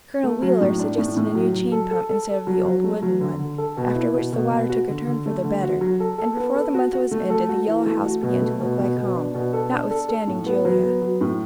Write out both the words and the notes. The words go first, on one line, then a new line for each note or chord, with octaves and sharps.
Colonel Wheeler suggested a new chain pump instead of the old wooden one, after which the water took a turn for the better, and before the month was ended the Yellow House began to look like home, notwithstanding Julia.
A3
F#3
A2
D4
A2
A2
F#3
F#3
A4
A4
A4
A4
F#3
F#3
A3
F#3
D3
D3
A4
B2
E4
B2
B2
B2
F#4
D3
D3
A3
D3
F#4
F#3
A4
A4
B3
A4
F#4
F#4
A3
A4
F#4
E3
A3
F#4
B2
A3
B2
B2
B2
D4
B2
A4
D4
A4
A4
A2
B3
F#3
B3
F#3
A2